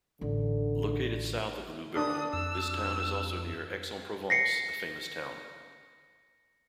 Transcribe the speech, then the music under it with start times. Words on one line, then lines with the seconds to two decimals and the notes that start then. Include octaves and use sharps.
Located south of the Luberon, this town is also near Aix-en-Provence, a famous town.
0.21 A1 D3
1.96 D4 D#6
2.33 F2 E6
4.30 A#6 C7 C#7